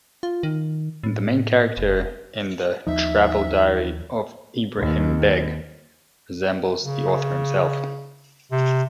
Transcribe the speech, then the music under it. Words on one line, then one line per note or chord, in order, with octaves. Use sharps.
The main character in the "Travel Diary of Ebrahim Beg" resembles the author himself.
F4
D#3
A2
F1
D#2 F3 D#4 E5
D#2
C#3
C3